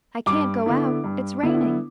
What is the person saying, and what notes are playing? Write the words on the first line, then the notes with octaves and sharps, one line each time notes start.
I can't go out, it's raining.
G2 D6
D3 B3 E4
G2
D3 B3 E4